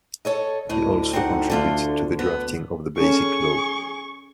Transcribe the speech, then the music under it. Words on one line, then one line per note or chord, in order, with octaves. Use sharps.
He also contributed to the drafting of the Basic Law.
A4 C#5 D#5
D2 A2 D#5
C4 D#4 F#5
D3 A3 F4
B3
C#4 G#4 A4 C#6